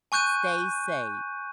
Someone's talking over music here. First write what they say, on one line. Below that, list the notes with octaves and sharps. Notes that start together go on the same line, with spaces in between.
stay safe.
G#5 C#6 F#6 G6 D#7